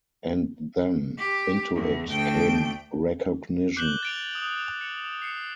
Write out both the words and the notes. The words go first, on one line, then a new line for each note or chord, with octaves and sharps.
And then into it came recognition.
G4
E2
D2 G5
D6 F#6 G6 E7 F#7 G7
A6 D7 F7
D#6
C#7
C7 C#7